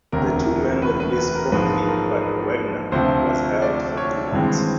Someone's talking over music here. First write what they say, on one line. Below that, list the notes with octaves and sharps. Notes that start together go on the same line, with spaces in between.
The two men were released promptly but Wagner was held for three months.
E1 D2 C3 A#4
B4
B4
A#4
A#1 G#2 F3 G#3 B4
A#4
B4
D2 C3 F3 C5
D5
C#5
G#1 G2 E3 G#3 C4